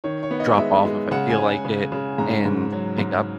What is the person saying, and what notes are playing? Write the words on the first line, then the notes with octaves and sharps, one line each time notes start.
drop off if I feel like it and pick up,
D#3 C#5
C#5
B3
D#5
G#3 E5
G#3
C#3 F#5
G#5
C#3
C#3
C#3
G#2 A#5
G#2
F#3
G#2